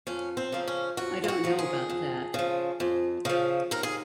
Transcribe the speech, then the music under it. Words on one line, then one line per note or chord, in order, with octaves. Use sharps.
I don't know about that.
F2 C#4
C4
C#3 F3 A#3
C#4
F2 F#4
F4
F#4
C#3 F3 A#3
G#4
F2
C#3 F3
F2
C#3 F3
D#2 A#4
G#4